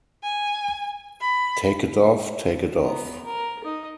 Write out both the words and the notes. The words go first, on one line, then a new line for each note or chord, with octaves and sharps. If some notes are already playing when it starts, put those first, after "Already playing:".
Take it off, take it off!
G#5
B5
B3 A#5
A#4
D#4 D#5